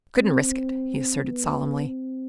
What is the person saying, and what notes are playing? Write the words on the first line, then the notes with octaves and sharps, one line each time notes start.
"Couldn't risk it," he asserted solemnly.
C4
B3
C4